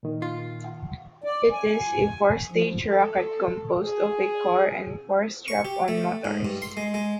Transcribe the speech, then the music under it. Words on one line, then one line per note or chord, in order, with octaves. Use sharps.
It is a four-stage rocket composed of a core and four strap-on motors.
A#2 D#3
F4
D5
G#5
F3
A4
G#4
C#6
G4
A3
G#2
G2
C6
G#3
G#3